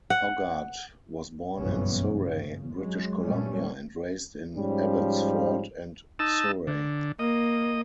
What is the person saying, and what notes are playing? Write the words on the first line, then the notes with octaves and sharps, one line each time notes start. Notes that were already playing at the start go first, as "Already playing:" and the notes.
Hoggard was born in Surrey, British Columbia, and raised in Abbotsford and Surrey.
F#5
F#1 B1 G2 E3 B3 C#4
C#3
F#3 G#3
A#2 G3 A3 C#4
G#2 F3 G3 C#4
D#4 A5 E6
D3
A#3 D#5